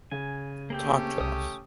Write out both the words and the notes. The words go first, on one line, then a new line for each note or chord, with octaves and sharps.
Talk to us.
C#3 G#5
A3 A#3 C4 C#4 G4 G5
C2 D#6